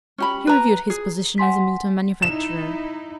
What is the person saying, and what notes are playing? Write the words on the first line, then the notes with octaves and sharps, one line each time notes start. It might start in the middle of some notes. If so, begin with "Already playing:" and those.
He reviewed his position as a Milton manufacturer.
C#4 G4 B5
B4 A#5
G#4
F#5 G#5 C6 B6
D#4 E4 E7